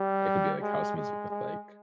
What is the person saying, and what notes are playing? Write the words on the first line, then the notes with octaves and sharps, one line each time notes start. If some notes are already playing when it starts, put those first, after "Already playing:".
It could be, like, house music with, like
Already playing: G3
G#3
G#3
G#3